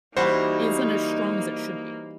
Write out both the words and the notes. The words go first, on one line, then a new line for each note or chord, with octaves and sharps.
isn't as strong as it should be.
E3 G3 A#3 D#4 F#4 C5